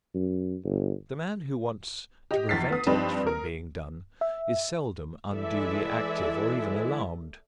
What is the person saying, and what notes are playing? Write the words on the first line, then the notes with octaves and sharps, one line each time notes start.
The man who wants to prevent it from being done is seldom unduly active or even alarmed.
F#2
G1
G4 D#5
A#1 E2 A6 B6 C7
B3 D#6
G2 F3 C4 D#4 B4 D5
A#4
E5
E3 G#3 E4 A4 D5 E5